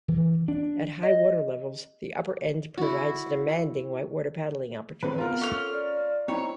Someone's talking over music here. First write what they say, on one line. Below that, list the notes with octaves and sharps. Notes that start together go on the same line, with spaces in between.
At high water-levels, the upper end provides demanding white-water paddling opportunities.
E3
D4
D#5
E4 F#4
D#3 E3 C4 B4
B3 F4 A#4 F#5 A5 A#5
C#4 A4 F6
D5
C4 D#4 E4 C#5 A#5